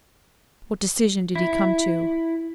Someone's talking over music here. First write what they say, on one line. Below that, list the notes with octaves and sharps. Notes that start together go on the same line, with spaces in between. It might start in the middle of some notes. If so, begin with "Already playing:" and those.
What decision did he come to?
E4